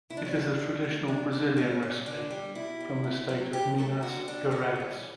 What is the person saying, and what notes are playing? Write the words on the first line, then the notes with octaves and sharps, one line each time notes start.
It is a traditional Brazilian recipe, from the state of Minas Gerais.
C#3 E4
D4
C#4
E3 A3 D4
D3
F#3 A3
B2 D4
G3 D4
A2 C#4
G3 C#4
D3 D4
G3
B2 E4
G3
C#3
F#3 A3
C#3 G4
F#3 A3 A4
D3 F#4
G3 D4
C#3 C#4
E3 G3